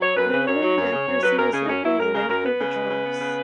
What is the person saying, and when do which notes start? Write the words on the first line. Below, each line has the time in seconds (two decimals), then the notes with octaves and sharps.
Another inaccuracy is likely the length of the trunks.
0.01 F#3 C#5
0.16 F#2 B4
0.32 C#3 B4
0.47 F#2 C#5
0.62 F#3
0.77 F#2
0.93 C#3
1.08 F#2
1.23 F#3 B4
1.38 F#2 A#4
1.53 C#3 G#4
1.65 D#4
1.69 F#2 C#4
1.84 F#3 E4
2.00 F#2 A#4
2.15 C#3 A#4
2.29 F#2 A#4
2.45 B3 B4
2.60 C#3
2.75 G#3
2.91 C#3
3.06 B3
3.21 C#3